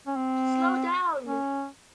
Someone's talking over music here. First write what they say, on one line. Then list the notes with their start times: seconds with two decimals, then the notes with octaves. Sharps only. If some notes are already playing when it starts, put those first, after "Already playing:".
Slow down!
0.07 C#4
0.16 C4
1.27 C#4